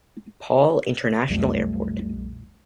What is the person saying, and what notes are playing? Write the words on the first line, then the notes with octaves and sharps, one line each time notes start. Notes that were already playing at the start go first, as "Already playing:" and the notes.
Paul International Airport.
B1 F2 F3 G3 A3